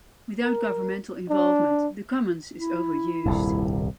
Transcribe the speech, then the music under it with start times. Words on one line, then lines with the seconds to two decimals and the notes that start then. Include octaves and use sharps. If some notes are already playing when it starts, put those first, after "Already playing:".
Without governmental involvement, the commons is overused.
0.43 A#4
1.29 D4
2.57 E4
3.26 D#1 C2 G2